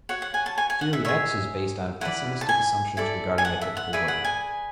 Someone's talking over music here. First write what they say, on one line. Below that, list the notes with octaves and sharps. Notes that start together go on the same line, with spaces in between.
Theory X is based on pessimistic assumptions regarding the typical worker.
F#4 C#5 F#5
F#5
G#5
A5
G#5
G#5
F#5
E5
G#4 C#5 E5
E4 B4 D5 F#5
A5
G#5
E4 A4 D5
G#5
F#5
E5
F#5
G#4 B4 D5 E5
F#5
G#5